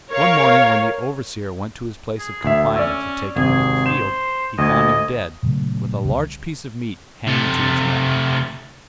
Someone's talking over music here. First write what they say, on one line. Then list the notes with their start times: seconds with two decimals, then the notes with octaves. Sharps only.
One morning when the overseer went to his place of confinement to take him into the field, he found him dead, with a large piece of meat hanging to his neck.
0.12 A#4 C#5 F5
2.19 G#4
2.44 D2 E5
2.76 C#4 D5 E6
3.36 G#1 C3 G#4
3.86 C5 E7
4.58 D2 D#5 G#6
5.43 A#2 C#3 F#3 A3
6.04 C#2 C3 E3 G3
7.27 C3 A3